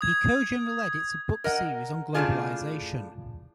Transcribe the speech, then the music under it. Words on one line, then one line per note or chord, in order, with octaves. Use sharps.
He co-general-edits a book series on globalization.
D#6 G#6
A#4 D#5 F#5
A2 C#3 G3 D4 F4 G#4